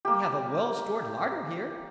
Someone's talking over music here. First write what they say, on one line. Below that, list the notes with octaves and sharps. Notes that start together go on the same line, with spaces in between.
We have a well-stored larder here.
A#3 G4